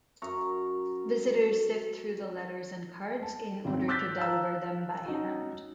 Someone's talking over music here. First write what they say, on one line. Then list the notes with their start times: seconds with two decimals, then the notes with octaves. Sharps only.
Visitors sift through the letters and cards in order to deliver them by hand.
0.22 F#2 A#5 C#6
3.23 A5
3.65 G#1 C4
3.88 D6 E6 F#6 G6 A6 B6
4.18 F5 A5 A#5 E6
5.06 C#4 D#4 F#4